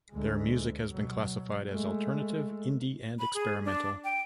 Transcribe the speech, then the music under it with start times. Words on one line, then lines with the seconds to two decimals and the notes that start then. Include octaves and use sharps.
Their music has been classified as alternative, indie, and experimental.
0.11 D2 G#3
0.89 B2 F#3
1.70 G#3 A3
3.19 B5
3.34 G#4
3.65 D4
4.04 G5